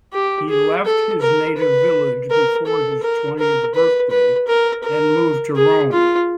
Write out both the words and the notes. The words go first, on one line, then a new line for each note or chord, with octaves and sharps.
He left his native village before his twentieth birthday and moved to Rome.
G4
G#4
A4
A#4
B4
A#4
A4
A#4
A#4
B4
B4
A#4
A#4
G#4
F4